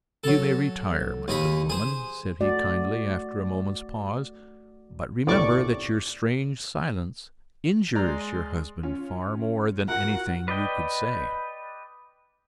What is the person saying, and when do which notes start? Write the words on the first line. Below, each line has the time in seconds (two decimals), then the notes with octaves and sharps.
"You may retire, my good woman," said he kindly, after a moment's pause, "but remember that your strange silence injures your husband far more than anything you could say."
0.24 F#3 A4
1.28 D#2 D#4 G#4 B5
1.70 G#4 C5
2.41 A3 F#4 D5
5.27 G1 C2 A2 D5 C#6 D6
7.95 G#3 D5 A#5 C6
8.83 C#4 F4
9.88 F4 F#4 A#4 F#5
10.48 B4 D5 D#5 G5